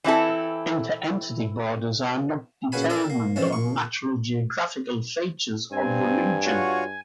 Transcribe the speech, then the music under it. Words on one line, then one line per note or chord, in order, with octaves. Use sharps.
Inter-entity borders are not determined on natural geographical features of the region.
E3 C4 E4 A4
A#2 C#3 F#4 B4 G#5 B5
A4 A#4 D5 E5
A#3
G#2 C#3 E3 F3 C4
A#2 C#6
G2 C4 G#5
F4 F#4 C#5 F#5